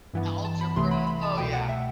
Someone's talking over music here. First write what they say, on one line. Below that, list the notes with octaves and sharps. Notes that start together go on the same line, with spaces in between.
Algebra, oh yeah,
G2 E3 B3
A5
B5
C2 C3 E3 A3 C6
B5
B5
A5
C2 B2 A3 G5
F#5
E5